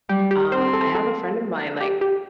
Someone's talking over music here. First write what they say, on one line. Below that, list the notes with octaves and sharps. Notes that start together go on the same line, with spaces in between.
Um, I have a friend of mine, like,
G3 G4
G4
C4 C5
A4
A4
G4
G4